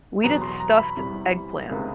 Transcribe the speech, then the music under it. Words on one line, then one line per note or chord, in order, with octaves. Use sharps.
We did stuffed eggplant.
E2 B2 F#3 B3 A#5
C6
A#5
B5
E2 C3 E3 G3
C#2 C3 D#3 G#3 B3